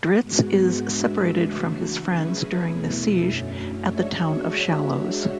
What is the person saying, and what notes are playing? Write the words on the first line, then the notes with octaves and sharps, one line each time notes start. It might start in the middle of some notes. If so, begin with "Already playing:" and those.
Drizzt is separated from his friends during the siege at the town of Shallows.
G#2 G#3 B3 F#4
G#3 D4 F#4 B4 E5
C#3 E3 A3 D4 F#4
F#3 C#4 G#4 B4 E5
E2 B2 A3 E4
F#2 D3 F#3 A3 C#4
G#3 D4 F#4 C#5 E5